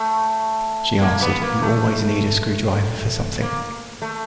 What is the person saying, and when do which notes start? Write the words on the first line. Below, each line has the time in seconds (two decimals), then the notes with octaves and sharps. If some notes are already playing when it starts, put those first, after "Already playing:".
She answered: You always need a screwdriver for something.
Already playing: A3
1.02 A#3
1.22 B3
1.42 A#3
1.62 A3
3.42 A#3
4.02 A3